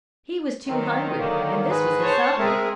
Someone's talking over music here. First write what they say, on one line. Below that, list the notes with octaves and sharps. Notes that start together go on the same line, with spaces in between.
He was too hungry, and this was his supper.
D#3 F#3 C4
D3 F#3 A#3
G#2 G#4 B4
C5 C#5 A5
G#3 C4 G#4 A#4 E5